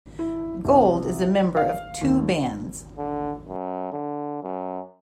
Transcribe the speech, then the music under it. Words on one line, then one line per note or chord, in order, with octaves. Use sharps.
Gold is a member of two bands.
E4
C2
F5
D#2
D3
F#2
D3
F#2